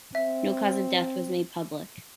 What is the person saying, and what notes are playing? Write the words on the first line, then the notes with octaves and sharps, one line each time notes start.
No cause of death was made public.
C4 E5